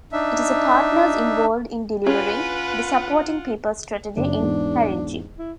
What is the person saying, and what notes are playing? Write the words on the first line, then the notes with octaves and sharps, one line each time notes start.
It is a partners involved in delivering the Supporting People strategy in Haringey.
D4 D#4 E5
C#4 F4 G#4 B4 F#5
F#1 D4
E2 G#2
E4